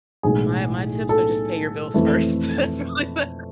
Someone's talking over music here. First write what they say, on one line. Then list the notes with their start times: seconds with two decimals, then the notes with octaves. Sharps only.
My My tips are just pay your bills first. That's probably the
0.23 B1 A2 E3 G#3 G#4
1.09 A4
1.94 F2 E3 A3